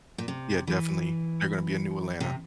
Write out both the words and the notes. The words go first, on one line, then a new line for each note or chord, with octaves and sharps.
Yeah, definitely, there gonna be a new Atlanta.
A#2
C3
E3
C3